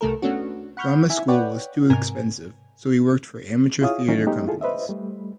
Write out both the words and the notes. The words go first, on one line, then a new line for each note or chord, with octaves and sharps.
Drama school was too expensive so he worked for amateur theatre companies.
C2 C3 A3 A4 A#4
A3 B3 C#4 D4 F#4
F#5 B5 C#6 F6 G6
E4 E5 G#5
B4 C#5 D5 F#5 G5
G#2 C3 A#4 G#5
E4 F4 G#4 C#5 F5 D#6
D#3 E3 F#3 C#4 D#4
G#3 A3 B3 D#4 G4
E4 F4 G#4 A4
B4 C5 D#5 E5
G3 A3